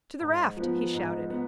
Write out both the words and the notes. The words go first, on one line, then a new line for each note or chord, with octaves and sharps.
"To the raft!" he shouted.
G#2
F3 B3
G#2
B3